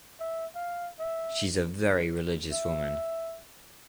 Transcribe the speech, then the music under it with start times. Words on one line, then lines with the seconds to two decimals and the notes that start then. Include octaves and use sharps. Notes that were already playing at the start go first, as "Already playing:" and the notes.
She’s a very religious woman.
0.20 E5
0.55 F5
1.00 E5
2.52 E5